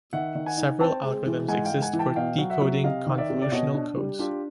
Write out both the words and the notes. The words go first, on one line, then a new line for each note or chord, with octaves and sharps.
Several algorithms exist for decoding convolutional codes.
D#3 E5 F#5
D#3
F#5 G#5
D#4
C4 G5 A5
G#3
E3
G#2 F#5 G#5
F5 G5
G#2
F#5 G#5
E3
G5 A5
B2 F5 G5
F#3
E5 F#5
F#3
C3 D#5 F5
D#3
D5 E5
C3
D5
B2 C#5 D#5
D4
G3
D4 F4 G4